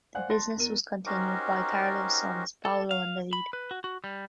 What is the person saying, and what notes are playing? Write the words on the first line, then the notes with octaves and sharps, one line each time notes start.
The business was continued by Carlo's sons Paolo and Davide.
C5 D5 F5 F#5 G#5 F#6
A5 C6 A6 A#6
E2 A#4 D#7
C#4 D#4 F#4 G4 A#4 C5
A4
F5
B5
B4
F#4
F#4
G3